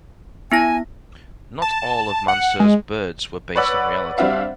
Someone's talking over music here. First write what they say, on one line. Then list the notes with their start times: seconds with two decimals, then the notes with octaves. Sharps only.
Not all of Mansur's birds were based on reality.
0.52 B3 E4 G#5 A#6
1.62 A5
2.28 F#5
2.60 G#3
3.55 B4 C#5 D5 F#5 B5 E6
4.18 G3 C4 D4 F#4 E5 F5